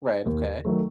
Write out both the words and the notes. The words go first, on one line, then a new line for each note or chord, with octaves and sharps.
Right, okay.
D#2
D#3 F#3 A3